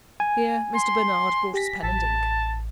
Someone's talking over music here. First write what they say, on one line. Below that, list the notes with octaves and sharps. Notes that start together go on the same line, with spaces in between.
Here Mr. Bernard brought us pen and ink.
G#5
C6
G4 A#6 B6
A1 A5